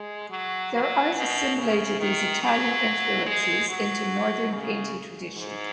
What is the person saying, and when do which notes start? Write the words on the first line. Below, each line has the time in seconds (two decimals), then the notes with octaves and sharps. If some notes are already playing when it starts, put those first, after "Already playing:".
Their art assimilated these Italian influences into the Northern painting tradition.
Already playing: G#3
0.30 F#3
0.73 F#3
1.14 B2
1.57 C#3
2.00 D#3
2.42 F#3
3.26 G#3
3.68 F#3
4.52 C#3
5.37 G#2